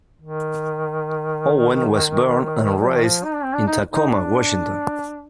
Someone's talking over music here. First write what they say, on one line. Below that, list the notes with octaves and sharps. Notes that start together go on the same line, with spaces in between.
Owen was born and raised in Tacoma, Washington.
D#3
G3
F3
D#3
F3
D#4
D4
C4
D4
D#4
D#4
D4